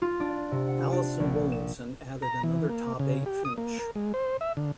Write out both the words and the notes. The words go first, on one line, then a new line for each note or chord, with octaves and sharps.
Alison Williamson added another top eight finish.
F4
D4
C3
F#5
D4
A#1
E7
A#5
E3
A#3
C#3
G4
D#6
A#3
A#4
G#3
C5
E5
D3